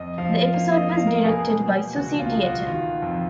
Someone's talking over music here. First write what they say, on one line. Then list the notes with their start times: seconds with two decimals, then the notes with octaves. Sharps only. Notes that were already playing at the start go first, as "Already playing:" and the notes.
The episode was directed by Susie Dietter.
Already playing: F2 D#5
0.18 F3 F5
0.54 A#3 F5
0.72 D#5
0.89 A#3 F5
1.07 A#4
1.25 B2 G#4
1.61 B2
1.96 C#2 F#4
2.19 F4
2.32 B2
2.43 F#4
2.67 D#3 F4
3.02 F2